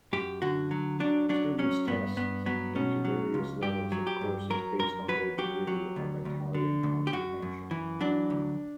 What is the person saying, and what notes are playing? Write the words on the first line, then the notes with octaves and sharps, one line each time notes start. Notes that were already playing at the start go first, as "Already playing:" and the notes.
Students test into various levels of courses based on their degree of Italian comprehension.
F#2 G4
D3 F#4
F#3
F#3 D4
F#3 D4
F#3 C#4
G2 B3
G2 B3
F#3 B3
B2 C#4
F#3
C#2
G2 G4
F#3
G4
G2
F#3 A#4
F#2 A#4
F#3 B4
F#3 G4
F#3
D2
D2
D3
D2
G4
F#2 F#4
F#2
E3
F#3 D4
D2